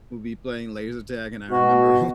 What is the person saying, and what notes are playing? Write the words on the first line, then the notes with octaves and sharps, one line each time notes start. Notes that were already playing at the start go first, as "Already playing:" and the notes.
we'll be playing laser tag, and I remember
B2 F#4